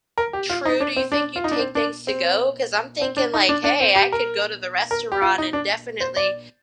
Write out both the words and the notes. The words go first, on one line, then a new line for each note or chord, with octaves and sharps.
True, do you think you'd take things to-go? 'Cause I'm thinking like, "Hey, I could go to the restaurant and definitely,
A#4
G4
F4
D#4
D4
C4
D4
F4
D#4
D4
C4
D4
C4
C4
D4
D#4
D4
D4
C4
G4
A#4
A#4
G4
F4
D#4
D4
C5
D5